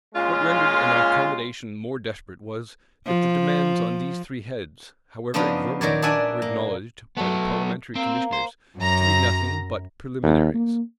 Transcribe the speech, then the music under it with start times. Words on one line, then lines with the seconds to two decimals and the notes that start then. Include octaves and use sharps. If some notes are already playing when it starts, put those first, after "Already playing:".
What rendered an accommodation more desperate was, that the demands on these three heads, however exorbitant, were acknowledged, by the parliamentary commissioners, to be nothing but preliminaries.
0.15 A#2 G#3 C#4 F4
3.07 F3
5.34 C#3 F3 B3 D4 D#4 F4
5.81 A#2 D#3 F#3 A#4 C#5 D5
6.02 D4 G#4 D5 E5 F#5 G#5
6.42 A#3
7.17 F#3 A3 B3
7.95 A#3 C4
8.33 C5
8.77 F#2 A#5
10.23 D#2
10.54 A#3